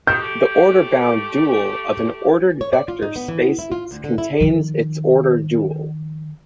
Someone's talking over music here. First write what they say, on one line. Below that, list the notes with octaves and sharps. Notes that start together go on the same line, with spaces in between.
The order bound dual of an ordered vector spaces contains its order dual.
D#3 G6
A3 G4
C#5
D5
F4
D#4
B3
E3
B3
E4
F4
D2
D3
E4
D#3 F3